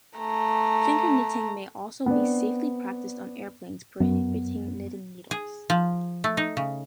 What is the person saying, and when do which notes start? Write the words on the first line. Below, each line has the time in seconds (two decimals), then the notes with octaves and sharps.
Finger knitting may also be safely practised on airplanes prohibiting knitting needles.
0.19 A3 A#5
2.06 B3 C4 D4
4.00 F#2 B3
5.31 G#4
5.70 F3
6.24 A3
6.37 D#4
6.57 C#3